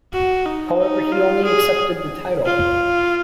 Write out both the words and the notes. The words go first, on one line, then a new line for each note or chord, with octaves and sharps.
However, he only accepted the title.
F#4
D#4
D#4
F4
G#4
F4